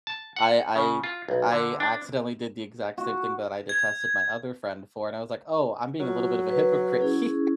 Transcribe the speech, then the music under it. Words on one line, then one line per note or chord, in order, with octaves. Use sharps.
I I I accidentally did the exact same thing that I detested my other friend for, and I was like, "Oh, I'm being a little bit of a hypocrite here“
A5
F#5
C#3
F4
B1
D3
D4
F#4
G#6
F#3 F4
B4
C#4 E4 G#4